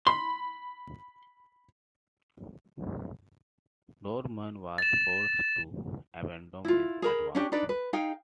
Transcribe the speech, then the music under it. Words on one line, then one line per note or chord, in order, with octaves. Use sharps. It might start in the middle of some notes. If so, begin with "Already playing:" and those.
Doorman was forced to abandon his advance.
B5 C6
A6 E7
E4 F4
G#4 A#4 B5
C#4 D4 G4
D4 D#4 B4 D5
B4
D#4 G#4 F5 G5